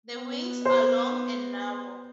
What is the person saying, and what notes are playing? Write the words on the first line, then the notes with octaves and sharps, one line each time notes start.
The wings are long and narrow.
B3
C5